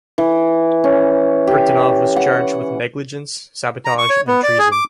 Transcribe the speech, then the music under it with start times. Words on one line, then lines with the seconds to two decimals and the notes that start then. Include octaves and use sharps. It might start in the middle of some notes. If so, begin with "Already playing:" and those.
Britanov was charged with negligence, sabotage, and treason.
0.18 E3
0.84 C#4
1.47 G4
2.16 F#5
3.85 A#5
3.98 C#6
4.10 C#5
4.28 B3
4.43 D5
4.59 G#4
4.72 D6